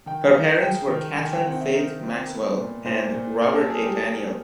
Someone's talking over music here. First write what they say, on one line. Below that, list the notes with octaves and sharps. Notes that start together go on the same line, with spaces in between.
Her parents were Catherine Faith Maxwell and Robert A. Daniel.
D#3 G5
D#4 F5
G#3 G5
D#3
D#3 G#5
G5
C4 F#5
E5
D#4 A#4
C4
B3 B4
A#2
A#2 C5
A#2
A#2 A#4
A4
F#3 G#4
G4